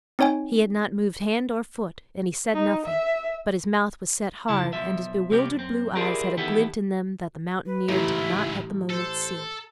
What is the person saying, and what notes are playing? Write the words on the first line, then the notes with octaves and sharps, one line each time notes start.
He had not moved hand or foot and he said nothing, but his mouth was set hard and his bewildered blue eyes had a glint in them that the mountaineer did not at the moment see.
C4 D#4 C#5 G5 G#5
D#4
E5
F#2 A2 C#3 E4 A5
B1 F3 E5
C2 F3 C4 G4
F#2 C4
E4 F4 G4 G#4 A#4 D5
D#3 E3 B3 E4 G4 A4
B4
A1 G#2 C#3 E4
A4 C5